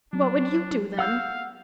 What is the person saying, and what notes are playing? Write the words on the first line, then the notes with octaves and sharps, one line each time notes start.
"What would you do then?"
F#3 D4
F5 F#5 E6 G6